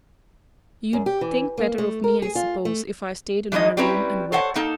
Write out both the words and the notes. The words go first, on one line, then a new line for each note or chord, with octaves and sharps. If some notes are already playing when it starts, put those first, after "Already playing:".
You'd think better of me, I suppose, if I stayed in my room and wept.
F#2
G4
E3
A#3
A3
A#4
G#4
F4
A3
E3 G#3 A#3 D#4 D#5
G3 C4 C#4 E4 B4 A#5
A4 C5 C#5 F#5
A#3 D#4 A4